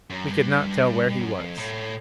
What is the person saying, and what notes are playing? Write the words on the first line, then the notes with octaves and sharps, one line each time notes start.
We could not tell where he was.
F#2
G2
F#2
F2
A2